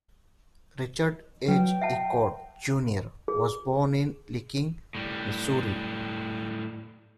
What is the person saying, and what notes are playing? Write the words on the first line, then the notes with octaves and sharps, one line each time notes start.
Richard H. Ichord Junior was born in Licking, Missouri.
F#3 B4 G5
E5 F#5 A5
G#4
A2 G3